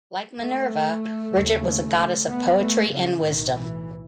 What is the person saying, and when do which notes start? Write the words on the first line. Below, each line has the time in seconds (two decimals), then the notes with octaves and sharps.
Like Minerva, Bridget was a goddess of poetry and wisdom.
0.37 A3
1.32 D#2 C#3
2.27 B3
2.58 A3
2.90 C#3
3.21 B1 A2 D#3
3.53 E3